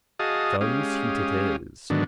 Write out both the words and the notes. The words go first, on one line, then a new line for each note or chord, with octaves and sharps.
Sun's heat it is.
F#4 G#4 D#5 F5 A5 D#6
G#3 C#4 G4 F5 D#6
G#2 D3 D#3 F#3 B3 D4